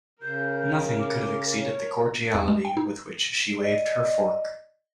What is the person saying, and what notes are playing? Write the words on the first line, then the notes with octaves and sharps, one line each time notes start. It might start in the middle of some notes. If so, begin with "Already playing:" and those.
Nothing could have exceeded the cordiality with which she waved her fork.
C#3 A#4 G6
D6
C#5
E2
G#3
G5
D#4
D5 D#5